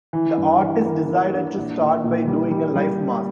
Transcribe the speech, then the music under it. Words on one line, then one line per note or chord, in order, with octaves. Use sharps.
The artist decided to start by doing a life mask.
E3
G2
E3
A#3
E3
D4
A#1
A#1
A#2
G3
G3
G3